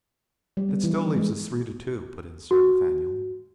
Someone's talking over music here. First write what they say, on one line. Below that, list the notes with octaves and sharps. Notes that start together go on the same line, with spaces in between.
"That still leaves us three to two!" put in Sir Nathaniel.
G3
B3
E3
D4
G#3
F#4